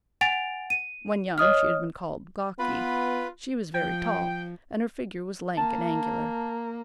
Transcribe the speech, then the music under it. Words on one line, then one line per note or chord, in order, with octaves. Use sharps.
When young she had been called "gawky." She was very tall and her figure was lank and angular.
F#5 G#5 A6 D7 F7
D#7
C#5 D#5 D#6 F6
B3 F4 B4 B5
F3 G5
A#3 A5